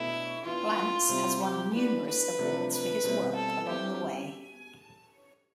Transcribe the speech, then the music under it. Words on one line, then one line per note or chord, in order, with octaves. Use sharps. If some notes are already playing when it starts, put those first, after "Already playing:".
Lantz has won numerous awards for his work along the way.
Already playing: B2 A3 D4 E4
E3 B3 D4 F4
C3 G3 C4 E4
G4
E3 B3 D4 B4
B4
C3 F3 A3 D4
B4
B2 G3 C4 E4
A4
E3 G3 C4 E4 G4